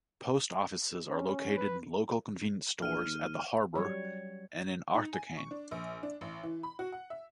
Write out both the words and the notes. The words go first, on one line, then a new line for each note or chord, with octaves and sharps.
Post Offices are located in local convenience stores at the harbour and in Achtercairn.
C#4
B4
A#1 F6 D#7
D#2
F#3 G3 C#5
D#4
G#5
C#6
D4
A#1
D4
A1
E3
B5
F#4
F#5
E5